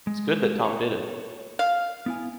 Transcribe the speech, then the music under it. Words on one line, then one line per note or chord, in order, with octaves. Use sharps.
It’s good that Tom did it.
G#3
C#5
F5
B3 E4 G#5